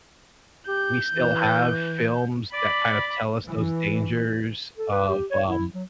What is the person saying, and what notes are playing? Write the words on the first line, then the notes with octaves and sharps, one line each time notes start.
we still have films that kind of tell us those dangers of, um,
G4 G6
E3
D5 B5 D6
E3
A4
B4
G4
C#5
E4
F#3